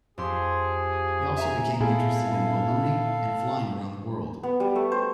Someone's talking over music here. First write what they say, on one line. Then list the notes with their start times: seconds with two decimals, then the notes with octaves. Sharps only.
He also became interested in ballooning, and flying around the world.
0.18 F2 G4 G#4 C6
1.37 E5 G#5 A#5
1.81 A#2 B3 C4 E4 G#4 A4 F5
4.43 B3
4.60 G3
4.76 A3
4.92 C5